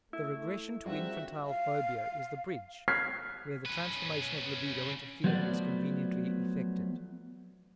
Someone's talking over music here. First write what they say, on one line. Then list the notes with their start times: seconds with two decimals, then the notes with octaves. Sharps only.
The regression to infantile phobia is the bridge where the transformation of libido into fear is conveniently effected.
0.13 A3 E4
0.86 G3 G#3 A#3 C4 D4 F4 F#4 E5
1.47 F5
2.88 F6 F#6 G#6 B6 C7
3.66 C#4 B4
5.24 F3 F#3 A3 B3 C5 D5